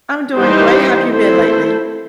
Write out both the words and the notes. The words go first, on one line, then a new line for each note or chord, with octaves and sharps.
I'm doing great. How've you been lately?
E3 G3 D#4 G4 C5
A3 C4 E4 A4 C5